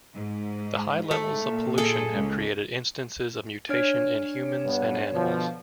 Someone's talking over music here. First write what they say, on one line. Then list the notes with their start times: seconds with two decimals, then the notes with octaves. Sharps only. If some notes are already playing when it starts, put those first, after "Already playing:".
The high levels of pollution have created instances of mutation in humans and animals.
0.14 G#2
1.11 A3
1.45 A#2
1.78 G#4 A4
2.12 C#2
3.69 D4 C#5 F6 D7
4.65 G2 B3
5.13 B2 D3 F3